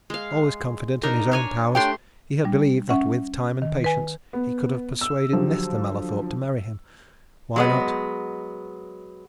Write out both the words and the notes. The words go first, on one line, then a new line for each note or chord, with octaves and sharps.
Always confident in his own powers, he had believed that with time and patience he could have persuaded Nesta Mallathorpe to marry him--why not?
G#3 F5
D4 D#4 A#4
D4 C#5 G#5
A3 D4 G4 C#5 G5 C6
G3 D4
C#4 E5 F#5
D#3
B4 G#5
B3
E6
D3 F3 F#3 G4
F#3 G#3 B3